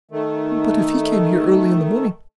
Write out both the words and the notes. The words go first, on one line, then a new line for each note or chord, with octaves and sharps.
But if he came here early in the morning.
D#3 A3